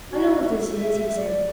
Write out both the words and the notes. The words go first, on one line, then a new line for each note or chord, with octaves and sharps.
"I know what this is," he said.
F#4
E5
D5